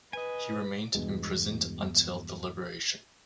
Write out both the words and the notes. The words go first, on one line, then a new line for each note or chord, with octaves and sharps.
He remained imprisoned until the liberation.
B4 D#5 G#5
E2 G2 B2 G#3